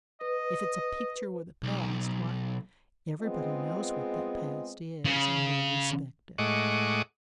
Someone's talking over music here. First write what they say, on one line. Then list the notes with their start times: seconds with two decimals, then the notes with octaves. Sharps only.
If it's a picture with a past, why, everybody knows what that past is, and will respect it.
0.21 B4 D#5
1.63 B1
3.22 G#3 B3 C4 F4 G#4 D#5
5.05 C#3
6.38 A2 G#3 D#5 F#5 C#6 D6